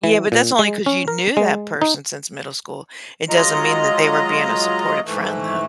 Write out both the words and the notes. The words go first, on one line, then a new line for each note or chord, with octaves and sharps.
Yeah, but that's only because you knew that person since middle school. It doesn't mean that they were being a supportive friend though.
E3
A#2
G#3
C#4
A#4
G#3
D#4
F#3 G#3 F4 D#5 A#5
G#2 E3 A3